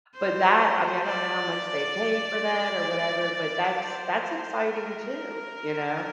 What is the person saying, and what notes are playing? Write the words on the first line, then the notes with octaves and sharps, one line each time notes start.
but that I mean, I don't know how much they pay for that or whatever, but that's that's exciting too, you know.
C5
D5
C5
A#4